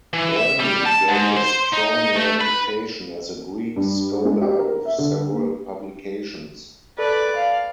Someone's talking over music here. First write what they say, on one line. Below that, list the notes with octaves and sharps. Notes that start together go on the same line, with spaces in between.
Burney gained a strong reputation as a Greek scholar with several publications.
E3
E5
G3
A5
G#2
C5
D#4
A3
B4
G2
G#3
G4
A#4
E5
D3
A#3
A4 B4 D5
F5